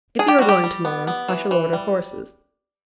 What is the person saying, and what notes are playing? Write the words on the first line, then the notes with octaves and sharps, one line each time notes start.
'If you are going to-morrow, I shall order horses.'
D4 G#4
G4
G3 F#4
G4
G3
B3
B3
E3
E3
G3